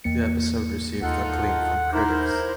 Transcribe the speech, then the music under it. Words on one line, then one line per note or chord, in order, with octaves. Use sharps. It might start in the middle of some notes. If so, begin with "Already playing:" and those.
The episode received acclaim from critics.
E2 A#3 C#7
D#2 D#4 F4 A4 F#5
D#4 E4 A#4 C5 A#5 C6 D6